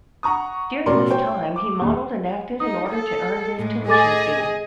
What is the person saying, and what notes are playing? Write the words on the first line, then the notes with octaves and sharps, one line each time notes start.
During this time, he modelled and acted in order to earn his tuition fee.
F#5 A#5 C#6 D#6
A1 B2 C#4 A#4 D5 C6
C5 C#5 G5
D6
A#1 D#2
D#4 D#6
A4
A2 G#3
G#4 A4 D#5 D6 A6